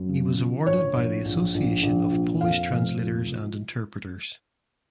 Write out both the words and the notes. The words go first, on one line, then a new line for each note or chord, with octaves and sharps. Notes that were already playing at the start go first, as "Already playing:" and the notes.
He was awarded by the Association of Polish Translators and Interpreters.
Already playing: F#2
C#3
F3
A#1 C#5
A#1
A#1
A#1
A#1
A#2
F2 F5
F1
F3